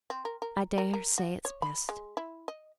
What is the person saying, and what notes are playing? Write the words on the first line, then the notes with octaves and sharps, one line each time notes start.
I dare say it's best.
C4
A#4
A#4
A#4
A#4
F#4
C#5
B5
G#3
E4
D#5